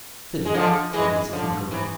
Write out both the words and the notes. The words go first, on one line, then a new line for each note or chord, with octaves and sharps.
'Fiddle,' said Mrs Nickleby.
G#3
D3 F3
E3 G#3
D3 F3
C3 E3